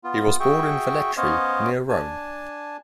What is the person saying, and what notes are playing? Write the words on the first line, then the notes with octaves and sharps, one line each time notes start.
He was born in Velletri, near Rome.
B3 F4
F#4 G#4 E5 G5 C#6
B3 C#4 C5 C#5 D#5 F5
D4 G#5 A5